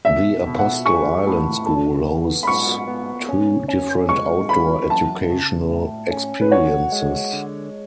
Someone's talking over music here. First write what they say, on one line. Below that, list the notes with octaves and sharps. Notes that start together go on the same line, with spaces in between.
The Apostle Island School hosts two different outdoor-educational experiences.
B2 E5
B2
F#5
G#4 C#6
A2
A4
B3
B5
G#2 C#6
B3
C#4
C#4
G#3 C#6
E3 B5
F#2 A5
C#3
A2
C#4
B4
F#4 C#5
G#3
D3